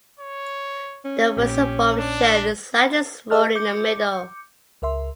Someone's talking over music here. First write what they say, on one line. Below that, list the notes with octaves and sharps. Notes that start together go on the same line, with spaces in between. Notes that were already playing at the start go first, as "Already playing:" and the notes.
The fusiform shell is slightly swollen in the middle.
C#5
C#4
A#1 A#2 G4
D4
G#4 A4 D#5 A5 F6 F#6
D6 G6 C#7
C#2 A#4 E5 C6